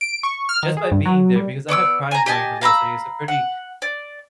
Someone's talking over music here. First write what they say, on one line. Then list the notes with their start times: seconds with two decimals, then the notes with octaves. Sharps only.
Just by being there, because I have pride in my university, it's a pretty
0.01 D7
0.23 C#6
0.49 F6
0.63 D#3
0.77 G#4
0.91 G2
1.05 F#3
1.36 G3
1.69 B3 D5 D6 E6
2.11 G#5 A#5
2.26 G4 D#5 G#5 A5
2.61 F5 A#5 B5 E6
3.28 F#5
3.82 D5